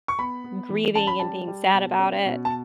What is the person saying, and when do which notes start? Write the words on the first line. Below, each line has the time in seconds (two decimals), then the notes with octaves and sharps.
grieving and being sad about it,
0.08 C#6
0.19 B3 B5
0.44 B3
0.69 E3
0.95 C#4 A5
1.07 B5
1.19 G3 A5
1.48 G3
1.74 B2
1.99 C#4
2.25 B2
2.45 A5